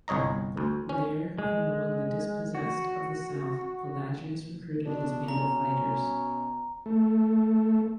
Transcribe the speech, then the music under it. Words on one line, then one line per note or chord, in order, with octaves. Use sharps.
There, from among the dispossessed of the south, Pelagius recruited his band of fighters.
G1 C2 C#5 D#5 A#5
D2
C#4
G#3
F#4
B2 D4
C#4 A#5
A3